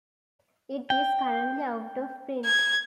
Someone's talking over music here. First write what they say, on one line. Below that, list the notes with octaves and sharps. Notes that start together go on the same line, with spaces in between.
It is currently out of print.
G5
G#6